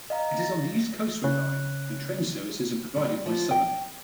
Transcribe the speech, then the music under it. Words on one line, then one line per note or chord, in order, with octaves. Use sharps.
It is on the East Coastway Line, and train services are provided by Southern.
D#5 F5 A#5
A6 A#6
C#3 F#6
G3
F3
G5